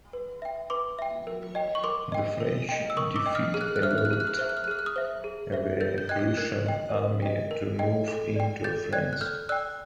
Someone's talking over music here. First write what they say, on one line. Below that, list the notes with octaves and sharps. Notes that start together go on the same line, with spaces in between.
The French defeat allowed the Prussian army to move into France.
B4
E5 G5
B4 C6 D6
E5 G5
A#4
D#5 G5
C#6
A#4 C6 D6
D#5 G5
A#4
D#5 G5
E6
A#4 C#6 D#6
D6 E6
D#5 G5
D#6 F6
G#4 F6
F#6
F6
F#6
C5 E5 F6
F#6
F6
F#6
G#4 F6
F#6
F6
F#6
C5 E5 F6
F#6
F6
F#6
G#4 F6
F#6
D#6 F6
C5 E5
G#4
C5 E5
A#4 G6 A6
G6
D#5 G5 F#6 G#6
A#4 F#6 G#6
D#5 G5
A#4
D#5 G5
A#4
D#5 G5
A4
D5 G5
A4 G6 A6
D5 G5 F#6 G#6
F#6
A4 F6 G6
D5 G5 E6 F#6